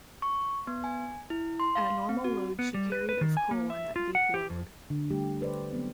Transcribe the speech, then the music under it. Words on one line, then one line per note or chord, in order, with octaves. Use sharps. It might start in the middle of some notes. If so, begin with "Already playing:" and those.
At normal load she carried of coal and at deep load.
C#6
B3
G#5
E4
C6
F5
C4
F#4
B3
G3
B4
B4
D#3
G#5
A#3
E5
F4
F#5
G4
F2
D3
G3 A3 G4
A4 B4 C5 D5
F#3 B3 C4